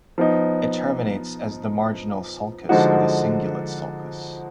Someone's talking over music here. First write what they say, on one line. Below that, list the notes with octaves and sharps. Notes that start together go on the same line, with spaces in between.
It terminates as the marginal sulcus of the cingulate sulcus.
F3 B3 D#4
D3 F3 G#3 D#4 F#4